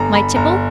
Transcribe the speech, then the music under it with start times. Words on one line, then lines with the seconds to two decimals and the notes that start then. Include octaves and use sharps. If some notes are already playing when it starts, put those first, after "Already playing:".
My tipple.
Already playing: G1 D3 A#5
0.14 B5
0.36 G1 A#5